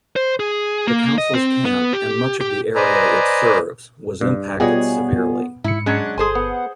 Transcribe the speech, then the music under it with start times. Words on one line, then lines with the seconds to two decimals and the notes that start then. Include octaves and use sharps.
The Council's camp, and much of the area it serves, was impacted severely.
0.16 C5
0.40 G#4
0.87 A#3
1.18 D#5
1.34 C4
1.65 B3
1.93 G4
2.41 G4
2.75 B4 C5 D5 D#5 G#5 A#5
4.21 G2
4.60 B2 G3 B3 F4 G#4 C#5 D#5 G#5
5.64 G#2 E4 C#7
5.86 F#3 G#3 C#4 D4 F#6
6.18 G1 G#4 A4 C5 G#5 C6 D#6
6.35 B3 F#5